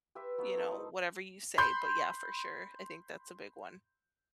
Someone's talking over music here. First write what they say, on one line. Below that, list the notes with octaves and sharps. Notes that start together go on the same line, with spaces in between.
you know, whatever you say, but yeah, for sure. I think that's a big one.
G4 B4 C5 E5
F#3 B3 E5
D#4 A4 A#4 C5
D#4 E4 C5 A5
B5 C6 G6